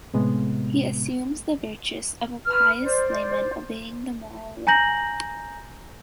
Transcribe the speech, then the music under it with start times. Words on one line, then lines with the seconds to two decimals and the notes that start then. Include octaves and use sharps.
He assumes the virtues of a pious layman obeying the moral law.
0.14 A2 C3 G#3 B3
2.45 B4 F6
2.82 C5 D5
4.67 G#5 A#5 G6 A#6 F#7